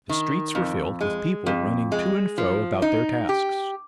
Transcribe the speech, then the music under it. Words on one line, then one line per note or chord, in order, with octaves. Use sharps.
The streets were filled with people running to and fro about their tasks.
D#3
F2
G#3
F2
G#3
F3
D#4
G4